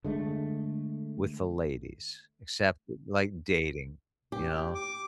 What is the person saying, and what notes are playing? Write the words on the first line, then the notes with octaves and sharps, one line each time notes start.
with the ladies. Except like, dating, you know?
D3 G#3 A3
G4
D6